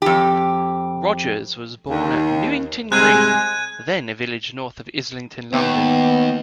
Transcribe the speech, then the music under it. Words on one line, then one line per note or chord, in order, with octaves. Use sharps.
Rogers was born at Newington Green, then a village north of Islington, London.
F2 G4
D#2
C3 G3 G#3 F#6 G#6 D#7
D#2 B3